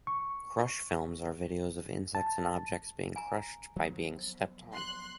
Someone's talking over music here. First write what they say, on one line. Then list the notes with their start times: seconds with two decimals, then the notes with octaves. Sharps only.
Crush films are videos of insects and objects being crushed by being stepped on.
0.07 C#6
2.15 A5
3.16 G#5 A#5
3.76 F3 F#3 B3
4.72 C6 F#6